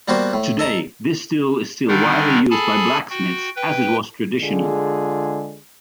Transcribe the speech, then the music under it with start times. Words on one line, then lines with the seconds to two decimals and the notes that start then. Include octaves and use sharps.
Today, this tool is still widely used by blacksmiths as it was traditionally.
0.08 G3 A#3 B3 F#4 C5
0.33 A2
0.59 A4 D#5 A#5
1.88 D3 D#3 G3 D4 D#4 A#4
2.50 G#4 A4 G#5 A5 B5
3.10 F#4 G5
3.56 B4 G5
4.41 D3 G#3 F4 G#4